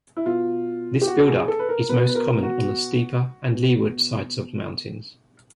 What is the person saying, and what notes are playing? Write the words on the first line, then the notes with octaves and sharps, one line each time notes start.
This build-up is most common on the steeper and leeward sides of mountains.
E4
B2 F4
G4
F#4
A4
G#4
A4
B4
A#4
B2 B4
B4
A#4
F#4
B2